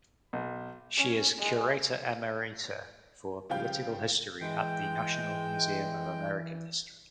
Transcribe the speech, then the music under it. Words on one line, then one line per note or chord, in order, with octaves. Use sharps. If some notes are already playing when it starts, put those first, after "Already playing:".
She is curator emerita for political history at the National Museum of American History.
B1
C#4
G#3
C#3 F3 G3 F5 G5 G6
E3 G#3 G5